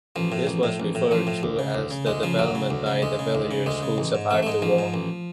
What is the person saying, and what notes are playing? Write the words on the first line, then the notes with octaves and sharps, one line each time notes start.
This was referred to as 'The Development' by the villagers who survived the war.
A1 F3
A2
A1
A2
A1
A2
A1 F3
A2
D2
C#3
D2
C#3
D2 G#3
C#3 F3
D2 F#3
C#3
D2
C#3
D2 G#3
C#3
D2
C#3
D2 G#3
C#3
A1
G#2
A1 A3
A3
G#2 G#3
A1 F3
G#2
A1